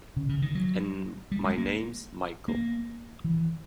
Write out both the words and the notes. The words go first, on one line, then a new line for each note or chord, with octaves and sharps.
And my name's Michael.
C#3
C#3
D#3
F#3
G3
G#3
A#3
A#3
E3